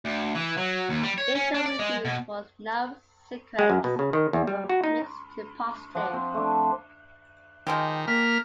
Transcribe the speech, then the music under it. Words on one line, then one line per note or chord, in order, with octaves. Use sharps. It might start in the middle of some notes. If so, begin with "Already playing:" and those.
Initial reviews for "No Secrets" were mixed to positive.
D2
E3
F#3
D#2
G3
C#5
C#4
D4
D5
G#3
B2
G#3
F#2
B2
C#3
D#3
E2
G3
F#4
D#4
F3 F#5 C6 D6
C4
A3 D4
D#3 F3 G#3 G4
A#3 F6 B6